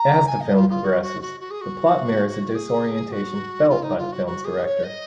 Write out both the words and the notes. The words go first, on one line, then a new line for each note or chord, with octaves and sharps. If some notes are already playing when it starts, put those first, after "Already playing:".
As the film progresses, the plot mirrors the disorientation felt by the film's director.
Already playing: A#5
G#5
D#5
F4
F4
F#4
F#4
F#4
F#4
G#4
F#4
G#4
F#4
F4
D#4
F4
F#4
F#4
G#4
C#5
D#5